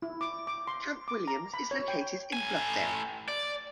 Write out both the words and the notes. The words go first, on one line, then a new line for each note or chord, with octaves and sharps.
Camp Williams is located in Bluffdale.
E4
D6
D6
C6
D6
A#5
B5
C#5
G5
A2 G#5
D5